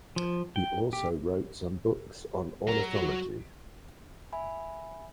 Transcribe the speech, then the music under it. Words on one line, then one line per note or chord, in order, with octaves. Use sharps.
He also wrote some books on ornithology.
F3
G5
G4
F#3 A#4 A#5
F#4
E5 G#5 B5